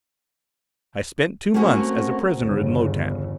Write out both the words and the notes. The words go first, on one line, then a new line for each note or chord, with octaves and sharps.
I spent two months as a prisoner in Lo-Tan.
A3 A#3 C4 C#4 F#4 A#4
G1 E2 C#3